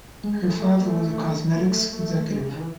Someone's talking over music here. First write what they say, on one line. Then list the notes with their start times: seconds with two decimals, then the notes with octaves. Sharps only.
Her father was a cosmetics executive.
0.24 G#3
0.43 A3
0.80 A3
1.56 A3
1.92 A3
2.30 G#3
2.38 C3
2.45 C#3
2.53 D#3
2.60 E3